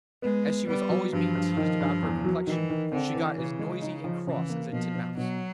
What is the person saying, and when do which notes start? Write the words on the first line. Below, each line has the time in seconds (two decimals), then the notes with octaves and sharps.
As she was always being teased about her complexion, she got as noisy and cross as a titmouse.
0.22 G#3 B3
0.45 B3
0.67 G3 B3
0.90 F#3
1.12 G2 F3
1.35 G2
1.57 D#3
1.80 G2
2.02 E2
2.24 F#3
2.47 D#3 E3
2.70 D#3
2.92 D3 C4
3.14 E3
3.38 C#3 E3
3.59 G#3
3.82 D#4
4.04 F3
4.27 C#3 E3
4.49 A#3
4.72 B2 F3
4.94 B2
5.17 B2 F#3